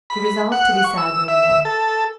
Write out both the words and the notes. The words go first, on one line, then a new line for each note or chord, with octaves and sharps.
She resolved to be sad no more.
B5
F#5
C#6
E6
E5
A4